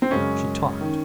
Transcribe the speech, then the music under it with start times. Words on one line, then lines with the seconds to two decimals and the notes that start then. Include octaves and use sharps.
She talked.
0.02 C4
0.11 F#2 C#3 G#3 C#4
0.81 D#3